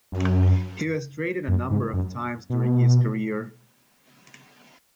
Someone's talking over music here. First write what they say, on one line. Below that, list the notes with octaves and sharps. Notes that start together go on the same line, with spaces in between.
He was traded a number of times during his career.
F#2
F#2
G#2
F#2
B2